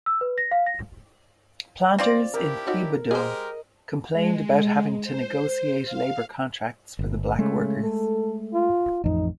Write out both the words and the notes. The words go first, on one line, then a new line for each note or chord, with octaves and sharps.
Planters in Thibodaux complained about having to negotiate labor contracts for the black workers.
E6
B4
A#6
F5
A#6
C4 F4 D5
D4 E4 G4 A#4
D#4 F#4 C#5
G#3 G4 G#4 A#4 C5 D#5
G#3
C5
F5
G1
C#3 G#3 A3
A4
F4
A1 F2 D#4